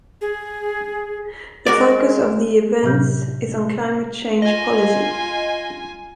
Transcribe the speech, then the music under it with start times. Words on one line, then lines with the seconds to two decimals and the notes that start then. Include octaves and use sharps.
The focus of the events is on climate change policy.
0.21 G#4
1.67 G#3 F#4 A#4 D5
2.83 A2 C3 F#3 G4 G6
4.42 F4 D#5 G#5